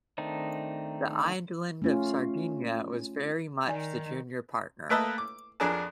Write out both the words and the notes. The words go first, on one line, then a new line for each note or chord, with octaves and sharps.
The island of Sardinia was very much the junior partner.
D#3 A3 C4 D4 D#4
A3 C#4 F4
D#3 D#4 D5 G#5
A3 A#3 B4 D#5 E5 A5
D6
F2 D4 G#4 A#4 A5